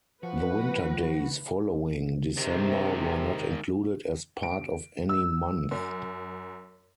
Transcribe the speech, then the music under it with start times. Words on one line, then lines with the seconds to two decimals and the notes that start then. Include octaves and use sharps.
The winter days following December were not included as part of any month.
0.23 F3 F#4 B4
2.38 C3 D#3 G#3
4.43 D7
5.09 E6
5.71 F#2